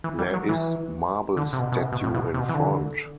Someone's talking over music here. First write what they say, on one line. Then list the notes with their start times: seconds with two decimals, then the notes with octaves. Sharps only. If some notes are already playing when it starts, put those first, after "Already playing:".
There is marble statue in front.
0.04 E3
0.19 G3
0.34 F#3
0.49 E3
1.37 D3
1.53 C3
1.59 B2
1.72 B2
1.81 C3
1.92 B2
2.04 A2
2.14 B2
2.34 C3
2.40 B2
2.49 E3
2.54 D3